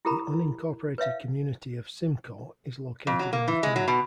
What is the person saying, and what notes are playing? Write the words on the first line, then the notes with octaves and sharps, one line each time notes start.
The unincorporated community of Symco is located in the town.
E4 G4 A4 A#4 A#5 B5
B4 C#5 E5 F5
F2
F#3
A#3
E3
G#3
F#3
B2